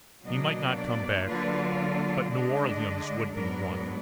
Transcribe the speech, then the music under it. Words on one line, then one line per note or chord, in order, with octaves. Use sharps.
He might not come back; but New Orleans would be won.
B2 F#3 A#3 D4 D#5
D5
D3 F#3 A#3 F4 B4
D3 G#3 D4 D#5
G#2 F#3 B3 D4 A#4